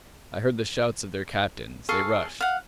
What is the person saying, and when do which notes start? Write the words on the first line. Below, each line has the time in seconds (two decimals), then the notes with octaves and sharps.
I heard the shouts of their captains; they rushed.
1.89 G#4 A4 F5 C#6
2.41 F5 F#5